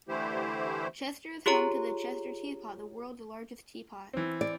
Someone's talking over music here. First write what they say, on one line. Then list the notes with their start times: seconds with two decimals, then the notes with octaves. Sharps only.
Chester is home to the Chester teapot, the World's Largest Teapot.
0.08 D3 E3 A3 E4 G4 C5
1.46 F4 G4 G#4 C#5 A#5
4.13 E3 C4
4.41 D5